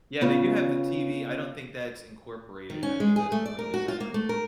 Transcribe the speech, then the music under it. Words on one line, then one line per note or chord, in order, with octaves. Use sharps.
Yeah, they do have the TV, I don't think that's incorporated, and I think that's completely separate.
C#3 B3 F4
D#3
C#4
G#3
G#4
A3
D5
A#4
F#4
F4
A#3
A3
A#4